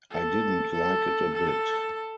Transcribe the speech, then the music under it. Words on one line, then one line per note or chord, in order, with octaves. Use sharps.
I didn’t like it a bit.
A4
A4
A4